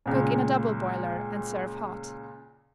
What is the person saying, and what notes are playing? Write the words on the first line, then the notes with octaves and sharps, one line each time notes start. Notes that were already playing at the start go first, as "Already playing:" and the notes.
Cook in a double boiler and serve hot.
C#2 A#2